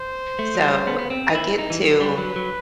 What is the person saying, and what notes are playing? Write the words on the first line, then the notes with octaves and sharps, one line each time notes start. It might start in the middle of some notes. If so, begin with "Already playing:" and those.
So, I get to,
Already playing: C5
A3
F#3
G3
B3
B3
C4
D#4
E4
D#4
E3
F#3 B4
G3
F#3
F#3